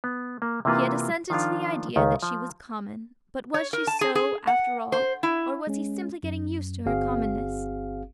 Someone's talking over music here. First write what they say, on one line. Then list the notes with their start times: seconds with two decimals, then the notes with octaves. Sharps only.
He had assented to the idea that she was "common"; but was she so, after all, or was he simply getting used to her commonness?
0.04 B3
0.42 A#3
0.65 C3 E3 A#3 F4 B4
1.30 D#3 F3 D4 F4
1.96 C#2 D#3
2.23 F3
3.54 C#5
3.73 A#4
3.87 A5
4.01 G#4
4.15 G#4
4.47 F#5
4.92 C5
5.23 E4
5.67 G#3 C#4
6.23 F#2
6.86 G1 C4 F#4 G#4 F5